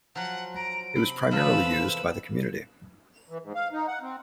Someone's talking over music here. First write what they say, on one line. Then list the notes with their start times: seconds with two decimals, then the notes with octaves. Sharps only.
It was primarily used by the community.
0.15 F3 F#3 F#5
0.55 A#5 D7
0.96 C3 B5
1.31 E2 F3 A4 B4 F5 E6
3.30 E3
3.43 G#2
3.55 F5
3.72 D#4
3.87 F#5
4.01 C4